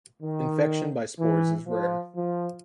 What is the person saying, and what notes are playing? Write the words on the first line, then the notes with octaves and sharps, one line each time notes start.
Infection by spores is rare.
D#3
E3
F3
F3